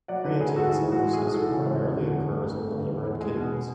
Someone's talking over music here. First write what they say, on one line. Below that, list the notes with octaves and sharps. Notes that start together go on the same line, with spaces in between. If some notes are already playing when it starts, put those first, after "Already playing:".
Creatine synthesis primarily occurs in the liver and kidneys.
F#3 D5 F#5
D3 B4 D5
D2 G#4
D2 F#4 A4
E3 G#4
A2
F#4
G#3
B1 G#4
E3 F#4 A4
C#3
G#3
E2
D3 F#4
F#2
A3
G#1
A3
D3
E2
E2
G#3 G#4
B2
B3